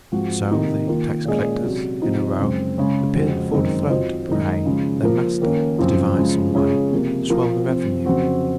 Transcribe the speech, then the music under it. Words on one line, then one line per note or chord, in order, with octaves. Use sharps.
So The tax-collectors in a row Appeared before the throne to pray Their master to devise some way To swell the revenue.
G#2 F3 C4 F#4
C3 D#3 A#3 D#4
D#3 A#3 F4
A#2 G#3 C#4 G#4 D#5
C3 F#3 C#4
C3 F3 C4 D#4
F#2 C#3 G#3 C4
C#3 G#3 C#4
F2 C#3 G#3 C4 F#4
F#2 D#3 G#3 C4 D#4
F#3 C4 F4 C5 D#5
F#2 D#3 G#3 D#4
C#3 F3 G#3
F3 A#3 F4 A#4
D#3 A#3 C#4
F#2 C#3 F3 C4
C#3 F3 G#3
C#3 G#3 C#4 F4 G#4
C3 F3 A#3
F3 C4 F4 A#4
C3 F3 C4 F4
F2 C#3 F#3 C4 F#4